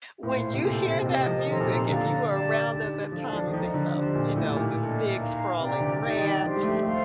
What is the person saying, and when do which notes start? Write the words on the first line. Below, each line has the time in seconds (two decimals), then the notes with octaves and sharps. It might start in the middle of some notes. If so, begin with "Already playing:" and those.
When you hear that music, if you were around at that time, you think about, you know, this big sprawling ranch,
0.23 A2 C5 F5 C6
0.33 A#2
0.54 C3
0.64 A#2 A4 C5 G5
0.85 C3
1.05 C3 A#4 D#5 A5
1.26 F3
1.47 D#3 A4 C5 D#5 A#5
1.60 A#2
1.75 C3
1.88 D3 A4 D5 F5 A#5
2.09 D3
2.30 G4 D5 A5
2.71 D#4 G4 D5 A5
3.12 F3 D4 A4 D5 F5
3.33 F3
3.47 D#3
3.53 F3 A4 D#5 A#5
3.74 D3
3.94 D3 G4 C5 D#5 A5
4.15 A#2
4.36 A2 D#4 G4 D5
4.56 A#2
4.77 D4 A4 D#5
5.19 D#4 A#4 F5 A#5
5.59 C3 G4 D5 G5 A#5
5.80 D3
6.00 D#4 G4 D5 G5
6.22 D#3
6.42 F3 D4 G4 C5
6.56 G3
6.63 A3
6.83 A3 A4 C5 F5 C6